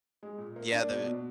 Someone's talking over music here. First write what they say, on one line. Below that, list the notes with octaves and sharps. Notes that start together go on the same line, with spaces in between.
yeah, the
G#3
A#2
A#3
D4
B2
B2